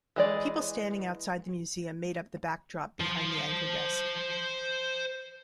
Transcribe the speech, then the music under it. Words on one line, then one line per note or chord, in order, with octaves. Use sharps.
People standing outside the museum made up the backdrop behind the anchor desk.
E3 G#3 D5
C5 A5